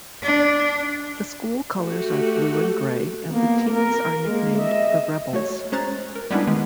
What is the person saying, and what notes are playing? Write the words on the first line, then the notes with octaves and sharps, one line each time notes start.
The school colors are blue and gray and the teams are nicknamed the "Rebels".
D4
A3 F#4 G4
A#3 B3
A#4
G#3 A#3
D#5 E5
A3 F#4 C#5
G#3 C#4 C5 A#5 F#6 A6
A#4
G3 G#3 B3 C#4 D4 E4
D#3 G#3 B3